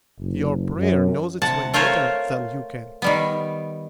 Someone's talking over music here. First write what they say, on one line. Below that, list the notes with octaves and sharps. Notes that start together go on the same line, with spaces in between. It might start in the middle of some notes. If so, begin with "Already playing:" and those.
Your prayer knows its way better than you can.
F#1
F#2
C3 F#5 A5
A3 F4 A#4 C5 C#5
D#3 G3 B3